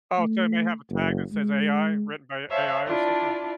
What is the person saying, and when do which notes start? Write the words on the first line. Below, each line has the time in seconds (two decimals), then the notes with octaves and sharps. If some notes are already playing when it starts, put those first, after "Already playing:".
Oh, so it may have a tag that says AI written by AI or something.
0.18 A3
0.90 F#1
1.32 G#3
2.49 C5 C#5 E5 F5 A5
2.86 D4 E4 F4 D5 A5